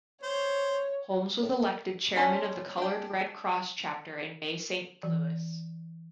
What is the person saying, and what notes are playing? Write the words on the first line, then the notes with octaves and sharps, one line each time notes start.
Holmes was elected chairman of the Colored Red Cross chapter in Bay Saint Louis.
C5 C#5
G3 C#4 C5 C#5 A5
D4 G5
E3